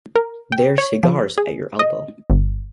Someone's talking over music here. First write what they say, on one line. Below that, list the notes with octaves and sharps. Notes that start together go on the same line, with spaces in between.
There's cigars at your elbow.
A#4
G5
C#5
F3
G#4
D#5
G1